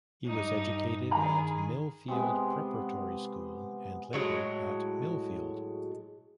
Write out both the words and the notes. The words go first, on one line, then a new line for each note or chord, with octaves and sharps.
He was educated at Millfield Preparatory School and later at Millfield.
G2 D#4 D#5
D#3 G#4 G#5 A#5 B5
C3 G#3 B3
A2 F#3 G#3